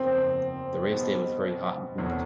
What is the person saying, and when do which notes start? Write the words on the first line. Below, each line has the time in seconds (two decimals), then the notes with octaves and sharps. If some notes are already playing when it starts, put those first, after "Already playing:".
The race day was very hot and humid.
Already playing: F#1 E2 C#3 F3 A#3 C4
0.92 B2 G3 B3 D#4 F#4
1.98 F1 E2 B2 F#3 A3